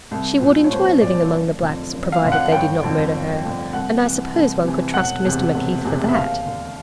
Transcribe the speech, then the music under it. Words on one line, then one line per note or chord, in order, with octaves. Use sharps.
'She would enjoy living among the blacks, provided they did not murder her, and I suppose one could trust Mr McKeith for that.'
C2
A#2
C#5
C2 C5
A#2 D5
F#1
F2 D3
F#1
F5
F2 D3
F#5
G1 G5
F2 D3
G1
F2 D3
C2 F#5
C3 E3
C2
C3 E3
E1 F#5
E2 C3 E3
E1
E2 C3 E3
E5
D#2 F5
D3